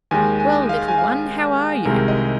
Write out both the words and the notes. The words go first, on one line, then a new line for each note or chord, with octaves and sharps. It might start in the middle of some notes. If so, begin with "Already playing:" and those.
'Well, little one, how are you?
D#2 D#3 G#3 G#5
G#5
F5
G#5
F5
C2 C3 D#3 G#3 A#4
D#5